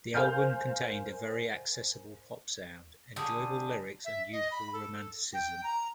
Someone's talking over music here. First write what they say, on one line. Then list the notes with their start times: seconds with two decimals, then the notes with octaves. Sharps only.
The album contained a very accessible pop sound, enjoyable lyrics, and youthful romanticism.
0.14 A#4 C5 F5 G#5 F6 G6
3.16 D3 G3 G#4
4.05 E5
4.32 D#5
4.52 B5
4.73 A4
5.34 G5
5.64 A#5